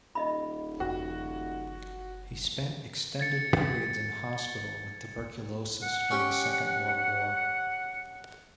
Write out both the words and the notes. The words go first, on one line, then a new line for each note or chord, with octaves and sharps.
He spent extended periods in hospital with tuberculosis during the Second World War.
D#1 D#5 E5 B5
F2 C#3 F#4
G#6 A6 C#7
F#5
C#4 G4